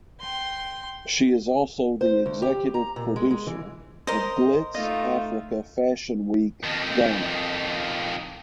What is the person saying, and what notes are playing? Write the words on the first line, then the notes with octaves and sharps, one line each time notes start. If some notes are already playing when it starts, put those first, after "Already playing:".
She is also the Executive Producer of Glitz Africa Fashion Week Ghana.
G5 C6
C5
D2
G4
A#5
A#2
G#3
G#3
E3
A#4 C5 D#5
A3 D#4 F4 D#5
F2 D#3